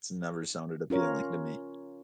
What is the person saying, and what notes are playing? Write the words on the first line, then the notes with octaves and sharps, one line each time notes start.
It's never sounded appealing to me.
C#4 F4 A#4 C#5